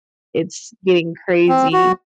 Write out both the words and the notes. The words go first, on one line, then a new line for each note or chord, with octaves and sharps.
it's getting crazy.
C4
F#4